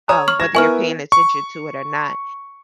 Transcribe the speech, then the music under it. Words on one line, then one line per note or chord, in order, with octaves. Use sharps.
um, whether you're paying attention to it or not.
C#5 A#5 D#6
C#6 F6
G#6 A#6 E7
B3 E4 A#4 G#5 C#6 F6
C#6